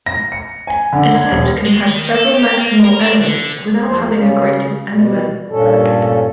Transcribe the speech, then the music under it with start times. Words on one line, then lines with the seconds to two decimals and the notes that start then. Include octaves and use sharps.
A set can have several maximal elements without having a greatest element.
0.06 A#6
0.32 C#7
0.67 G#5
0.93 D3
1.15 G#6
1.31 D#1
1.65 G#3
1.87 D#3
2.14 A4
2.34 G4
2.58 A#3
2.84 A#4
3.00 D4
3.21 D3
3.86 E2 F3 C5
4.12 C#3
4.90 B2 G3
5.50 G2 A#2 C#4 A4